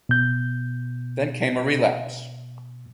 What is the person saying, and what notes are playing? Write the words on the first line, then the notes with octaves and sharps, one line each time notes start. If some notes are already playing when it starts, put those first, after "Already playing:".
Then came a relapse.
B2 G6